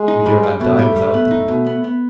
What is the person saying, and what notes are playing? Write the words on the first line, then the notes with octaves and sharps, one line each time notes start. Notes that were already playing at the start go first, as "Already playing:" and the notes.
We dare not die without them.
Already playing: G#3
D#4
G3
G3
B2 A3
G3
G3
B3
D#4
B2
B3
B3